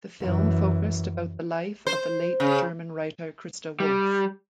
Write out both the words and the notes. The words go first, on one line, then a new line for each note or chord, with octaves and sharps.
The film focused about the life of the late German writer Christa Wolf.
F#2 E3
C5
C#3
G3